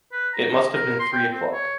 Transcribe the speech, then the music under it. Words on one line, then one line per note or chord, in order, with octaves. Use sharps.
It must have been three o’clock.
B4
A#5
A#4
C6
G5
C4
C#5